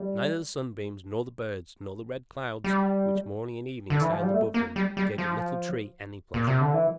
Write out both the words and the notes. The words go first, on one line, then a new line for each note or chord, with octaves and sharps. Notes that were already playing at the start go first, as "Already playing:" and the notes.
Neither the sunbeams, nor the birds, nor the red clouds which morning and evening sailed above him, gave the little Tree any pleasure.
Already playing: G3
G3
D3
E3
F3
G3
A3
A#3
G3
G3
F3
A#2
C3
D3
E3